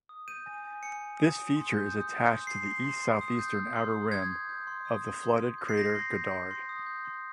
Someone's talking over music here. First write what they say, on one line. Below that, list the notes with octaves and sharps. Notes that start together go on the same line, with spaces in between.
This feature is attached to the east-southeastern outer rim of the flooded crater Goddard.
D#6
G6 D#7
G#5
G#5
G#5 C#7
G#5
D#6
D#6
C6
G6
D#6
G6
C6
C6 C7
C6
C6
C6
D#6
G6
G6
C6
D#6
D#6 G#6
G6
G6
C6
D#6
C6
C6
C6
G6
C7
G6 A#6
C6
G6
G6
C6
D#6
G6
C6